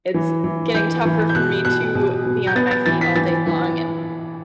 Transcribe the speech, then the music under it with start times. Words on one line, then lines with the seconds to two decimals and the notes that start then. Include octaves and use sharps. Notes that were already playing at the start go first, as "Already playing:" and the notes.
it's getting tougher for me to be on my feet all day long and,
0.14 E3
0.44 E3
0.74 E3 G6
1.05 E3
1.29 G6
1.35 B2 F#6
1.65 B2 F#6
1.95 B2
2.26 B2
2.47 G6
2.56 B3 A6
2.71 A6
2.86 E3 A6
3.01 B6
3.16 E3 A6
3.47 E3